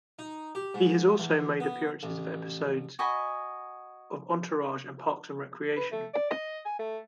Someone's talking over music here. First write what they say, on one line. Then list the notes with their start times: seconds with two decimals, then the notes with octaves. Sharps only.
He has also made appearances of episodes of "Entourage" and "Parks and Recreation".
0.19 D#4
0.55 G4
0.74 G#2
1.19 E2
1.60 B3
2.03 A1
2.99 F#4 D#5 G#5 B5
5.76 B4
5.92 A3
6.14 D5
6.30 D#5
6.65 G#5
6.79 A3